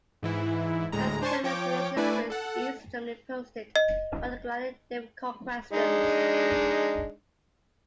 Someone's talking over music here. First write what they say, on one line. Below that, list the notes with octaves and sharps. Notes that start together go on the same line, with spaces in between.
West Germany's relations with East Germany posed particularly difficult questions.
G#2 E3 E4
D2 A2 G#3 A#5
D4 C5 G#5 A5 C6 C#6
F3 C#5 G5 D6
A3 D4 E4 B4 D5 G#5
A4 F#5
D#5
G#3 D4 D#4